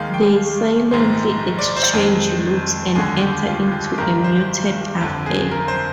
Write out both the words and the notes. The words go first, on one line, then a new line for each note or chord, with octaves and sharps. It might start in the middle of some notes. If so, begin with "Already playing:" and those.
They silently exchange looks and enter into a muted affair.
Already playing: D#2 D#3 G#3 F5
G5
A#1 G#2 D#3 G#3
D5
C5
F2 D#3 G#3
D#2 D3 G#3 G#4
G4
F4
G4
G1 G2 D#3 G3 A#4
C5
G1 F2 D3
G#4
A#4
C5